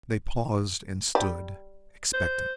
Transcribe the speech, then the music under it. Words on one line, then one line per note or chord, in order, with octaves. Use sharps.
They paused and stood, expectant.
G3
C5